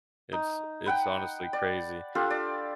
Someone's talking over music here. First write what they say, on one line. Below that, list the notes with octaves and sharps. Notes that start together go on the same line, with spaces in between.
it's it's honestly crazy,
D#4
B4 F#5 G5
D5
D4 F4 G4 A4
D5